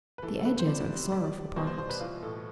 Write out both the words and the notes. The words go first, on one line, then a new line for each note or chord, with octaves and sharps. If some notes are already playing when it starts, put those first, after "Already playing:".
'The edges are the sorrowful parts.'
B4
E3 A4
A4
C3 B4
C5
C3 D5
G3
G3 D5
G3
B2 C5
C5
B2 C5
B4
E3 F4
A2 A4